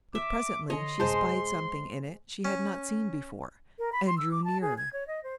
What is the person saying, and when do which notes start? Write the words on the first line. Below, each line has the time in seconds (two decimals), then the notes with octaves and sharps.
But presently she spied something in it she had not seen before, and drew nearer.
0.15 E5 D6
0.70 D3 A4 C#5 D#5 C6
1.00 F#2 C3 G#3 C5 A5
2.45 C#4
3.79 A#4
3.92 B5
4.07 C6
4.18 E6
4.31 D6
4.44 A5
4.62 G#4
4.78 G#6
4.93 C#5
5.08 D#5
5.24 C5